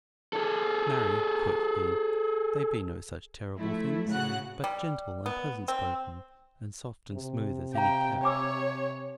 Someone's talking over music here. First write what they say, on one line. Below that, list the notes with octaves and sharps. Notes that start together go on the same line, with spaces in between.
"Marry!" quoth he, "they be no such terrible things, but gentle and pleasant spoken, and soft and smooth as any cat."
G#4 A4
F3 A3 E4
A2 C#3 F#4 F#5 F#6
G3
B3
C4
C3
F5 G5 A#5
C#5 G#5 D6 E6